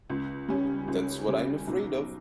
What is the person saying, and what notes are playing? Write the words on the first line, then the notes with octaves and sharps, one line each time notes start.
That's what I'm afraid of.
C#2
C#3 G3 C#4
C#2
C#3 G3 C#4
B1